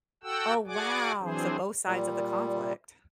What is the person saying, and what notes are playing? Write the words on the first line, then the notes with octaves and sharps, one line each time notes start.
Oh, wow. So both sides of the conflict.
F#4 A4 F#5 G5 E6
F#4 G#4 D5 F#5 G#5 D6
E3 F#3 C4 D4 G#4 C5
A#2 G3